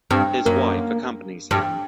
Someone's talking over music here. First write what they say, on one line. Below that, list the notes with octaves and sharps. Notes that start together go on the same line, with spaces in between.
His wife accompanies him.
G2 C4
F#2 A#3
G2